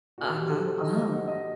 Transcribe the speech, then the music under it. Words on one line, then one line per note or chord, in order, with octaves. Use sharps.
Uh-huh, oh.
A#2 F#4
G4
A4
C5
D#5
D#5
F#5
D#5